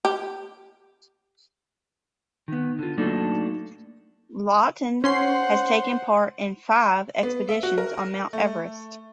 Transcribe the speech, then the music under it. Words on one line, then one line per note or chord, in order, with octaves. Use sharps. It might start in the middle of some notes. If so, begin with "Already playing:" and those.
Laughton has taken part in five expeditions on Mount Everest.
G4
D#3 B3
D3 F4
F#3 A3 A#3 D4 D#4 A4
C#4 C5 F#5 C6 C7
B3
E5
F#4
A#4
A3